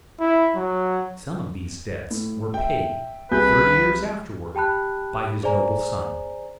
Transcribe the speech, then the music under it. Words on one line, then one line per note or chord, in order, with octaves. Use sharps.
Some of these debts were paid, thirty years afterward, by his noble son.
E4
F#3
A2
E5 G5
C2 G#4 B4 G6
G4 G5 A5 B5 F#6
G#4 C5 D5 G#5 A#5